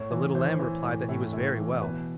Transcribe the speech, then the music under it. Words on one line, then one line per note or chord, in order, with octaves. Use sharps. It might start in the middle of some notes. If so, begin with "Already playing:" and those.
The little lamb replied that he was very well.
Already playing: A2 C#5
E3
E3 C5
E3
A2
A2
A2
E3
B2 B4